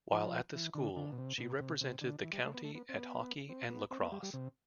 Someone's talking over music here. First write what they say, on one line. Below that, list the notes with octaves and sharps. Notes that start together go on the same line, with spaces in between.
While at the school she represented the county at hockey and lacrosse.
F3
E3
D3
D3
B2
C3
B2
C3
C3
D3
E3
G3
A3
B3
A3
B3
C4
B3
C4
B3
C4
B3
G3
G3
C3